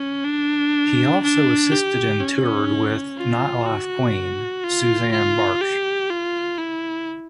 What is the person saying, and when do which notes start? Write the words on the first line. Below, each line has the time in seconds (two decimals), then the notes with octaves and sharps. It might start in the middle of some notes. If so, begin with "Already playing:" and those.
He also assisted and toured with the "Nightlife Queen", Susanne Bartsch.
Already playing: C#4
0.25 D4
1.23 D4
1.72 G4
2.20 C#4
3.17 F4
3.66 F#4
4.64 F4
5.12 F4
5.61 G4
6.10 F4
6.58 E4